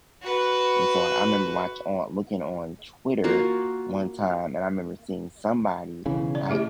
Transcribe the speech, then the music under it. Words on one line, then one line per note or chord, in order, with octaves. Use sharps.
and so I remember watch on looking on Twitter one time and I remember seeing somebody, like,
F#4 B4
A#3 F4 F#4
B1 C#3 E3 E4
D5
A#2 A3 E4 G4 G#4 A5